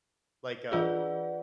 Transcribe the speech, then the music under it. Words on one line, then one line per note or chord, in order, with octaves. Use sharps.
Like, uh
E3 F4 G#4 B4 D5 F#5